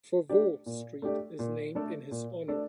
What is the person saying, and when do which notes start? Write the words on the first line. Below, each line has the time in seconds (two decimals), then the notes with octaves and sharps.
Foveaux Street is named in his honour.
0.29 A3 D4 G4 D5
0.66 A#2
1.02 A3 D4 G4 D5
1.39 A#2
1.75 A3 D4 A4 D5
2.11 A#2
2.48 A3 D4 A4 D5